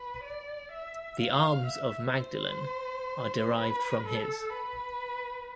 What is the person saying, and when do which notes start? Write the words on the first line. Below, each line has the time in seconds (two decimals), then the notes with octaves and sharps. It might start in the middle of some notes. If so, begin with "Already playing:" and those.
The arms of Magdalene are derived from his.
Already playing: B4
0.23 D5
0.72 E5
1.20 F5
1.66 E5
2.15 C5
3.57 B4
4.05 A4
4.53 B4